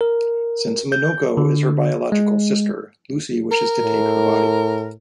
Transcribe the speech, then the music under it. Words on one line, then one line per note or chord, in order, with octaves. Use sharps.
Since Minoko is her biological sister, Lucy wishes to take her body.
A#4
G6
D3
G#3
A#4
A2